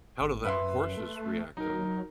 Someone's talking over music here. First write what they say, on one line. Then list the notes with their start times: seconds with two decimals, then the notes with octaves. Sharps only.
how do the h horses react, um
0.20 G#1
0.45 F#2 B4 E5 C6
0.97 A3
1.57 F#3 D#4 A#4